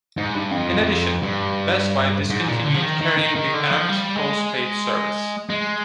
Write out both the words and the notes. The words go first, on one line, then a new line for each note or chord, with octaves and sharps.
In addition, Best Buy discontinued carrying the Amp'd post-paid service.
G#2
G2
F2
G2
G#2
A#2
D3
F3
D#3
D#3
D#3
D#3
D3
F3
G3
G#3
G#3